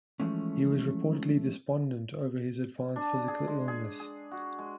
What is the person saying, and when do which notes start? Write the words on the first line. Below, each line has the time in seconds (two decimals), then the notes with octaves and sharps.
He was reportedly despondent over his advanced physical illness.
0.20 E3 F3 G#3 A3 C#4
2.96 D4
3.28 G#4
3.47 G#3
3.68 G#4
4.00 G#4
4.31 F#4
4.58 G#3